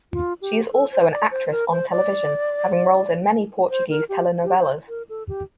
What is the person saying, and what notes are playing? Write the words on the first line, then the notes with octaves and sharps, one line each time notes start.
She is also an actress on television having roles in many Portuguese telenovelas.
F4
G4
A4
C5
D5
C5
A#4
C5
D5
C5
A#4
G4
G4
C5
A#4
A4
G4